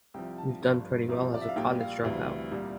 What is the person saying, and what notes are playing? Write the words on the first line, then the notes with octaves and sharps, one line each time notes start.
You've done pretty well as a college dropout!
C2 C3 F3 G5
A5
G1 G2 F3
C2 C3 F3
D5
E5
F5
A#1 A#2 G3 G5
F5
D2 C3 E3 G3 F5
C2 A#2 G3